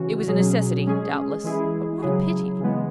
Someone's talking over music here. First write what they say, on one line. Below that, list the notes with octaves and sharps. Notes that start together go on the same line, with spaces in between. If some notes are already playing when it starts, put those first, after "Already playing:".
It was a necessity, doubtless; but what a pity!
Already playing: C#3 E3 C#4 F#4
B2 F#3 C#4 G#4
G#3 C#4 G#4
E3 G#3 E4 G#4
C#3 F#3 E4 G#4
C#3 E3 G#3 B3